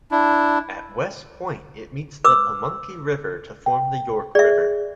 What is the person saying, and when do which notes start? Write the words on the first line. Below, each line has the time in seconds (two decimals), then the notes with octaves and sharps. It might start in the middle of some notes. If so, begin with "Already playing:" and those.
At West Point, it meets the Pamunkey River to form the York River.
0.11 D4 E4
2.24 B4 D6 E6
3.66 G5
4.35 G#4 D5 E5